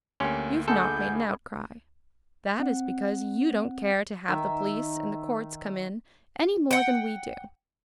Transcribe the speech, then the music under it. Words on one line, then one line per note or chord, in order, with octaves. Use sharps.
You have not made an outcry; that is because you don't care to have the police and the courts come in any more than we do.
D2 A#3 C#4 G4 G5 C6
G#3 B3 D4 A4 G6
G#4
C4 F#5
D#3 E5
F#5 G5